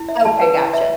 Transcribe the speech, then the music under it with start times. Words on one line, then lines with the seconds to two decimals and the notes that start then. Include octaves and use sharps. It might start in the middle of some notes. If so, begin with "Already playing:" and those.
Okay, gotcha.
Already playing: E4
0.09 E5
0.25 A5
0.42 B4
0.57 E4
0.73 E5